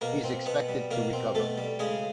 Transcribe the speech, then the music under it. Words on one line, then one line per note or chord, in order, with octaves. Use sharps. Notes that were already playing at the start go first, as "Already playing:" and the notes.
He's expected to recover.
B2 A#3 A#4
C4
B2 B3 B4
G3
B2 A#3 A#4
C4
B2 A3 A4
G3
C#3 G#3 G#4